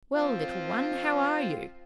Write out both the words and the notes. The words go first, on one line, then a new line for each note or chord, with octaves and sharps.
'Well, little one, how are you?
C4 F4